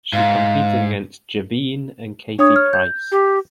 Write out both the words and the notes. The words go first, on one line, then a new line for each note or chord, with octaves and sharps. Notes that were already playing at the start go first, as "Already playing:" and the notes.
She competed against Javine and Katie Price.
G#2 F5
D4 C#5 D#6
F6
G6
G4